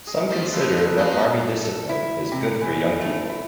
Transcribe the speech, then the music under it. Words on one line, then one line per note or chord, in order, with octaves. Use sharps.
Some consider that army discipline is good for young people.
G#4 D#5
B3 C#4 G4 C5 D5
F3 A4 B4 C5
A3 G#4
A3 B3 C#4 D#4 F4 G#4
A4
E4
C3
E3
A3
E4